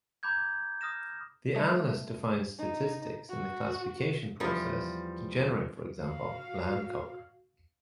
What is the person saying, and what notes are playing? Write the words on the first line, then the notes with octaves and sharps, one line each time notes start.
The analyst defines statistics in the classification process to generate for example land cover.
A#5 B5 D6 G6 G#6
D#6 F6 A#6 E7
G3 A3 D#5
D#4
F#4
E2 F3 G3
F#4 F5